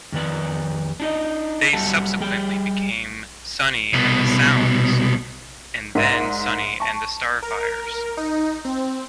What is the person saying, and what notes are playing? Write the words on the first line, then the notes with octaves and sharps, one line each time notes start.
They subsequently became Sonny and The Sounds and then Sonny and The Starfires.
F2 D#3 B4 D5
D4 D#4 D#5
F#3 G3 A4 E5 F#5 A5
G3 G#4 G5
C2 B2
G#2 A#4 D5 E5 D#7
A5 C#6
A#4
D#4
C4